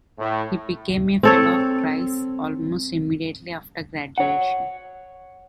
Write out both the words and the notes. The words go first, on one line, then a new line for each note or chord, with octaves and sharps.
He became a Fellow of Christ's almost immediately after graduation.
A2
C4 A4 C#5
C#5 F#5